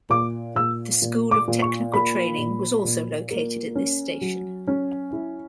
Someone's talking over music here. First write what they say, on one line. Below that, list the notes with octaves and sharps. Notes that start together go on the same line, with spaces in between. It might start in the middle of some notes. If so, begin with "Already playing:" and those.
The School of Technical Training was also located at this station.
A#2 D6
A#2 E6
A#2
D6
A#2
C#6
A#3 B5
A#2
A#2
A#3
C#4
F#3
C#4
E4